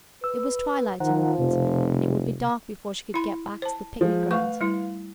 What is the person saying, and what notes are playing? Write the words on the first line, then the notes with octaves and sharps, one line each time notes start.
It was twilight in the woods, and it would be dark before she could get back to the picnic-grounds.
B4 E6
D#3 F3 C5 F#5 A#5
F1 C3
E4 B5
C5 A5
F3 G#3
A3 B4 F5 C#6
G3 E4